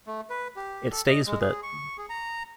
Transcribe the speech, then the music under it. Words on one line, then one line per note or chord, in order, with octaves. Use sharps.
It stays with it.
A3
B4
G4
A4
D#5
G#3
G#4
C#6
G#4
A#5